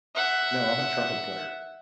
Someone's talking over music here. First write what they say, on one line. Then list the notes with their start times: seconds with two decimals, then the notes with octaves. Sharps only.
No, I'm a trumpet player.
0.15 E5 F#5